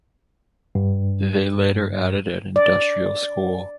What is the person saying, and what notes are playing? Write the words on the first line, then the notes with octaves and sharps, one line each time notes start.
They later added an Industrial School.
G2
D5